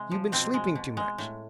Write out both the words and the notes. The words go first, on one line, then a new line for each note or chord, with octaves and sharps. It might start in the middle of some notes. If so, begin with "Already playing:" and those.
You've been sleeping too much.
Already playing: C3 G#3
F3
B2 C4
G#3
B2
G#3
A2